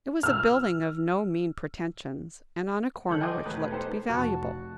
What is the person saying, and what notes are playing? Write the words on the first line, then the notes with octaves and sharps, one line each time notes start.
It was a building of no mean pretentions and on a corner which looked to be valuable.
E6 F6
G1 D3 A4 G6 F#7
D#5 G5 G#5 C6 D6 D#6
E1 G#3 A3 B4 F#6
B3 D#4 G4 A4 B4 C5
F1 F#4 F#5 A5